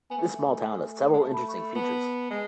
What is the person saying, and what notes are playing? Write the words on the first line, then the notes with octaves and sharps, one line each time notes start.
This small town has several interesting features.
B3 G#5
A3
G#3
A3
G#3
A3 A5
B5
C#6
B5
B3 A5
G#3